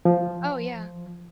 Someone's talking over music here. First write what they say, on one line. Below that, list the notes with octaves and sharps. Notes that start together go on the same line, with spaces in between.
Oh, yeah.
F3